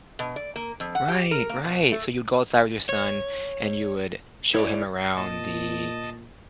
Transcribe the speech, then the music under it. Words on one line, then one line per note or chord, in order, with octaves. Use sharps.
Right. Right. So you'd go outside with your son, and you would show him around the
B2
D5
A#3
F2
F#5
G4
A#4
A#3
B2
A3
C#5
E4 C#5 D5
A#2 D#5 A5